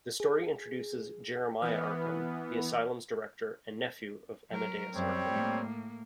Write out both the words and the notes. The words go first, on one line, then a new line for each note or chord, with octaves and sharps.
The story introduces Jeremiah Arkham, the asylum's director, and nephew of Amadeus Arkham.
G#4
E3 B3 B4 D#6 F6
F#3 A#4
F#2 G3 C4 C#5
A2 A#3